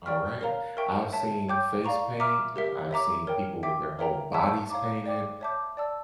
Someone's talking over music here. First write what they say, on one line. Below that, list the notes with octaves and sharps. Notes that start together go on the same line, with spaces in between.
alright? I've seen face paint, uh, I've seen people with their whole bodies painted.
D5 G5 C#6 F6
A#4 C#5 F5 A#5
A#4 E5 G5 C#6
C#5 E5 A5
C#5 G5 D6 G6
D5 F5 A#5 C#6
E5 A#5 D6 F6
G4 A#4 E5
C#5 E5 A#5 D6
A#4 C#5 G5
E5 G5 D6
A#4 C#5 E5 G5 A#5
C#5 E5 A5 C#6 E6
C#5 F5 A#5 D6
D5 G5 D6
C#5 E5 A5 D6 G6
D5 A5 E6